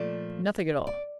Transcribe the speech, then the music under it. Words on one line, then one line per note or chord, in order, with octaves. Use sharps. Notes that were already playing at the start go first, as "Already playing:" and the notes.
"Nothing at all."
Already playing: A#2 F3 A3 D5
D5